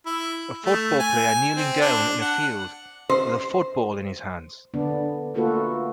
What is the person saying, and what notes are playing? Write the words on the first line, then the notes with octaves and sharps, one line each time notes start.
A football player kneeling down in a field with a football in his hands.
E4
A3
G#5
C4
D4
F#5
C5
D3 B3 D4
A3 A#3 F4 F#4 A4 B4